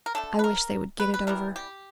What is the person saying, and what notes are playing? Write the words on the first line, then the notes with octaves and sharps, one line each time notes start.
I wish they would get it over!
A#4
D3 F#3 A3 A4
B4
A#4
B4
B4
E3 G3 B3 A#4
G4